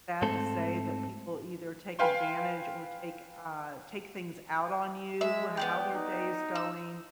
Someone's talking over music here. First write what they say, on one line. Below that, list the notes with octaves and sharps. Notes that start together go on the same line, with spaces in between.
sad to say, that people either take advantage or take uh, take things out on you, how their day is going.
G#2 A3 C4 A4 C6
B4 F5 G5 G#5 C6
G#3 E5
B3 D5 G5
D#4
E6